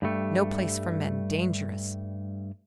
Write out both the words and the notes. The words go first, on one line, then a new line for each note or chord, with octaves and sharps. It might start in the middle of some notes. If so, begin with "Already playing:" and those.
No place for men--dangerous.
G2 G3 A3